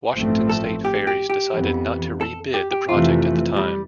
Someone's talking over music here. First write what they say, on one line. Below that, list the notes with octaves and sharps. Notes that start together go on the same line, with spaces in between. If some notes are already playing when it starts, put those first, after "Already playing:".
Washington State Ferries decided not to re-bid the project at the time.
A1 G2 F3 A3 C4
A4
G4
G4
G4
F2 E3 B3
A4
G4
G4
F2 C3 E3 A3 F4
G3